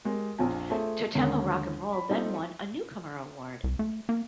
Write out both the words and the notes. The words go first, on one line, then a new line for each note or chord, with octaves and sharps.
Tottemo Rock 'n' Roll then won a newcomer award.
G#3 G4 A#4
A#1 F2 F3 G#5
A3 F4 G#4 A4 C5 E5
D#2 D3 G#3 C#4 A#4
B5
G3 C4 D#4 F4 G4 A4
C2
A3
A#3